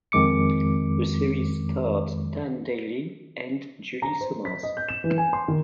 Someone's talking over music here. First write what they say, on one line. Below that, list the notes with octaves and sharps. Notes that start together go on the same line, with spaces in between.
The series starred Dan Dailey and Julie Sommars.
F2 D#3 G#3 D6 C#7
A#5
C5
B6
D#5
G6
E7
E3
G#5
C6
D#3